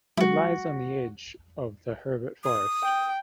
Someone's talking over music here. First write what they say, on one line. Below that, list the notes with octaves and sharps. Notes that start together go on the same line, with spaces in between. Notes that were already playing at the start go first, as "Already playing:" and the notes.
It lies on the edge of the Herbert Forest.
F#3 G#3 E4 F#4
D#6
G5